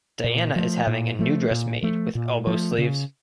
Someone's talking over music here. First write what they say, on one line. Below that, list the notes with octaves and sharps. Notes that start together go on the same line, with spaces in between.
Diana is having a new dress made with elbow sleeves.
A#2
F3 A3
A#2
F3 A3
A#2
F3 A3
A#2
F3 A3
C#3